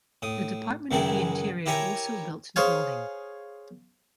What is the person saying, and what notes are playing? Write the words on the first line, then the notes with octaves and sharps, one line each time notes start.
The Department of the Interior also built the building.
A2 D#6
C#2 F#2 D#3 G#3 E4 G#4
E4 G4 A#4 C#5 G#5 A#5
G#4 C5 C#5 F5 G#5